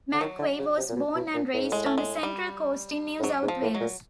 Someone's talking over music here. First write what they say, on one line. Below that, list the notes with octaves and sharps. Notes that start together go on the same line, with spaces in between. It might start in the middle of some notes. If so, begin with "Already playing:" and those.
McVeigh was born and raised on the Central Coast in New South Wales.
D3
D#3 F#3
D3
C#3
C3
A#2
B2
B2
A#2
A2
G#2
A2 G#3
A3
G#3
G3
A2
G#2 F#3
G#2
F3
A2
F#3
A#2